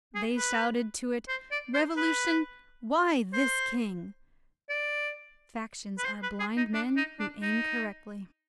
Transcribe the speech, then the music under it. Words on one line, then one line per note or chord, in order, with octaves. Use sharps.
They shouted to it: "Revolution, why this king?" Factions are blind men who aim correctly.
G#4
B4
C5
D5
C5
B4
C5
D5
B4
C5
B4
G#4
D#4
D4
D#4
D4
D#4